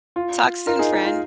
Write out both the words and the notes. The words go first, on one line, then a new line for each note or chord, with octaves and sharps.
Talk soon, friend.
F4
F4 A#4
D#4 G#4
D#4
F4